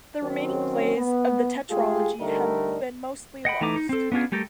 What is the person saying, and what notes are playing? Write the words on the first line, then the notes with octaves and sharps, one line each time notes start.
The remaining plays of the tetralogy have been mostly lost.
D#3 F#3 C4 C#4
B3
G#3 A3 F4 G4 G#4
D3 G3 A3 D#4 A#4
D#5 F#5 G5 B5
E3 A3 D#4 A#5 D6
D#4
C4 A4
B3 C#4 D4 F4 G#4
G3 A3 G4 A4 A#4